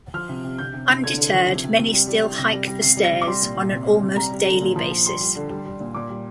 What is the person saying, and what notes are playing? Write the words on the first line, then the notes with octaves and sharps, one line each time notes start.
Undetered, many still hike the stairs on an almost daily basis.
F3 F6
C3
C3
C3 G6
C3
C3
D3 G#6
D3
F3
C3
C3
C3
G3
G3
G3
C3 A#6
G3
G3
C3 C7
G3
A#6
C3
D6
G3 C6
A#2
A#2
C3
G3
C3
G3 A#5
G3
D3
A#2
F3
F3
G3 C6
G3
D3
G3
G3
A#2
A#2 D6
G3